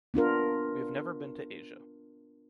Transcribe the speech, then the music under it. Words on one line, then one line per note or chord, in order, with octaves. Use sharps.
We have never been to Asia.
B3 D4 F4 A#4